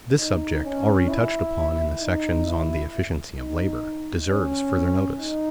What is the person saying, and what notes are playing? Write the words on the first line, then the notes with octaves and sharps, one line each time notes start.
This subject, already touched upon in the sections on the efficiency of labor, deserves further notice.
D#4
C#4
E4
D#4
E4
D#4
C#4
D#4